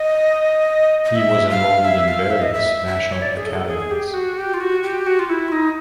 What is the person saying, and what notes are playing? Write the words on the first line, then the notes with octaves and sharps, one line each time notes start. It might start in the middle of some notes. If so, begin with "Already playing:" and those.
He was enrolled in various national academies.
Already playing: D#5
D#5
E5
F5
E5
F5
E5
D#5
E5
E5
C#5
D5
G#4
A4
G#4
G4
F#4
G4
F4
F#4
G4
F#4
F4
E4
D#4